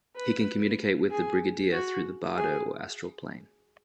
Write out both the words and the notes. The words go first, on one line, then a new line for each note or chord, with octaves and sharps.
He can communicate with the Brigadier through the "bardo" or astral plane.
B4
G#4
F#4
G#4